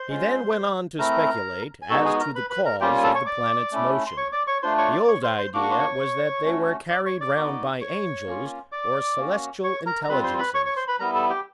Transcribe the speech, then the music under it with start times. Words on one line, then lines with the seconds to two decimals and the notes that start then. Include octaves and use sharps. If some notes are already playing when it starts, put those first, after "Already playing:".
He then went on to speculate as to the cause of the planets' motion. The old idea was that they were carried round by angels or celestial intelligences.
Already playing: C5 C6
0.08 G#3 C#4 F4
0.98 A3 C4 E4 A#4 A#5
1.82 G#5
1.90 G#3 B3 D#4 F#4 A4 A5
2.05 G#4 G#5
2.20 A#4 A#5
2.35 B4 B5
2.50 B4 B5
2.65 A#4 A#5
2.80 G3 A#3 C#4 F4 G4 G5
2.97 G#5
3.03 A4 A5
3.15 C#5 C#6
3.26 D5 D6
3.72 A3 C#4 E4
4.07 C6
4.17 C#5 C#6
4.32 D5 D6
4.47 C#5 C#6
4.63 A3 D4 F4 C5 C6
4.78 C#5 C#6
4.93 D5 D6
5.03 D6
5.08 C#5 C#6
5.23 C5 C6
5.38 C5 C6
5.54 A#3 D4 F#4 D6
5.62 C#6
5.71 C6
5.79 C#5 C#6
6.45 A3 C#4 F#4
6.90 D5 D6
7.05 C#5 C#6
7.21 D5 D6
7.36 B3 D#4 F#4
7.81 C#5 C#6
8.27 A#3 C#4 F4
8.72 D5 D6
9.18 A#3 C#4 F#4
9.63 C#5 C#6
9.86 A#4 A#5
10.04 A#5
10.09 G3 C4 F4 B4 B5
10.23 C5 C6
10.39 B4 B5
10.54 C#5 C#6
10.66 C#5 C#6
10.76 C5 C6
10.88 B4 B5
11.00 G3 B3 E4 A#4 A#5
11.15 A4 A5
11.30 G4 G5